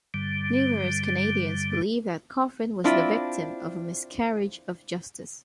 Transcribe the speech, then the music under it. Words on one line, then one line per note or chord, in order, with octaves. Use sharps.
Numerous Canadians believe that Coffin was the victim of a miscarriage of justice.
G2 D3 G3
C4 D4 E4 F4